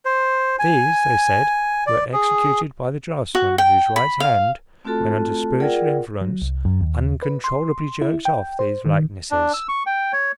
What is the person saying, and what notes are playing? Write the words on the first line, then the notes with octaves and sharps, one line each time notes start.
These, they said, were executed by the draftsman, whose right hand, when under spiritual influence, uncontrollably jerked off these likenesses.
C5
G#5
D5
G#4
F#4
G5
B5
F5
A3 C4 F4 F#4 A4 A5
F4 G#4 A#4 D5 F#5 G5
F#3
C2
F#2
D#2
B4
C6
E4
G5
C5
D#3
D4
E6
C#6
G5
C#5